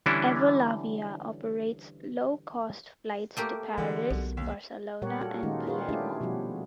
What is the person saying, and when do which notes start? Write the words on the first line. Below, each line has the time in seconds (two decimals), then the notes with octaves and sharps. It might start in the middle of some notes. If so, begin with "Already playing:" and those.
Evolavia operates low cost flights to Paris, Barcelona, and Palermo.
0.06 D3 E3 G3 C#4 D4 E4
3.37 A3 A#3 G4
3.78 D3 E3 G3 G#3
4.10 B1
4.37 D#2
5.02 A#2 G3 G4 A#4 C#5 F#5
5.20 A#3 F#4 A4
5.43 D#3 G#3 C#4 D#4 F4
5.66 F4 F#4 B4 C#5
5.89 A3 C#4 D4 E4 G4 G#4
6.21 B2 F3 G3 F#4